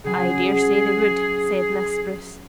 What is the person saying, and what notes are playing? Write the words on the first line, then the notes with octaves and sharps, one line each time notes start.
"I dare say they would," said Miss Spruce.
C#3 F#3 G#4